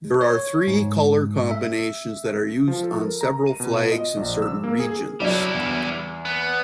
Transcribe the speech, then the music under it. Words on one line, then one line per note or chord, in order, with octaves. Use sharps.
There are three colour combinations that are used on several flags in certain regions.
C#5
G#2
E5
F3
A4
A#4
A#5
D#7
B2
F4
D#5
A#1
E6
A#3
G#4
F#3 G3 D4 E4
E2
B3